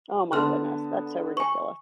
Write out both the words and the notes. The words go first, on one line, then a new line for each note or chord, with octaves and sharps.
Oh my goodness. That's so ridiculous.
D3 B3 A5 C6 F6 F#6
G#5 C#6